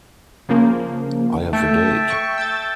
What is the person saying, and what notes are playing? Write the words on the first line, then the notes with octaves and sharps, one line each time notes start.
I have a date.
C#3 F3 A#3
A3 E5 G5 A5
C#6
E6 G6 A6